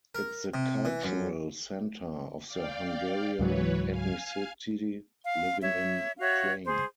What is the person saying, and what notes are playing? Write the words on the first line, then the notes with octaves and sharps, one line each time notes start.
It's the cultural centre of the Hungarian ethnicity living in Ukraine.
A#4
C3
E3
F#2
D5 F5 G5
C#2 G#2 E3 F#3 B4 C#5
F5 G#5 F6
F5
C#5 E5
F#4 C#5 E5 F5
G#4 C5